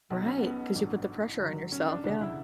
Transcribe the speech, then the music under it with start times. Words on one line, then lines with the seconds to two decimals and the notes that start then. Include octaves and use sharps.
Right, 'cause you put the pressure on yourself, yeah.
0.10 B1 B2 F#3
0.26 C#4
0.42 B3
0.75 A1 G2 F#3
1.39 G1 G2 F#3
1.72 C#4
1.88 D4
2.04 E1 D2 C#3 D4
2.21 E4